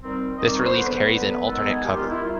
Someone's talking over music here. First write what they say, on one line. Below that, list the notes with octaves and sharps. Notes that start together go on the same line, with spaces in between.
This release carries an alternate cover.
D#3 G3 C4
D#3 G3 C4 D#5
D5
C#5
C5
D3 F#3 B3 B4
D3 F#3 B3
D#3 G#3 B3 A4
G#4
D#3 G#3 B3 G4
F4
E4
D#3 G3 F4